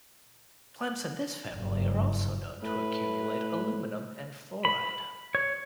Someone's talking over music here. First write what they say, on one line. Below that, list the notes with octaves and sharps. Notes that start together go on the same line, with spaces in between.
Plants in this family are also known to accumulate aluminum and fluoride.
F#1 G2
A2 B4
B5
C#5